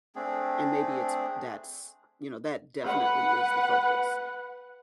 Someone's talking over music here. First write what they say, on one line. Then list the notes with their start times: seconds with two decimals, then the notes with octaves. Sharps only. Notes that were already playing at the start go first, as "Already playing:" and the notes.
and maybe it's that's, you know, that definitely is the focus,
0.16 A3 C4 D4 G#4
2.84 B4 F#5